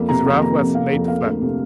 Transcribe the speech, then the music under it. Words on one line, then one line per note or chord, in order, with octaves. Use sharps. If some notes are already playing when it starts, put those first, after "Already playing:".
His ruff was laid flat.
Already playing: F2 A#3
C3 A#5
F2
A#3 A#5
F2
C3 F5
F2
A#3 F5
D2
C3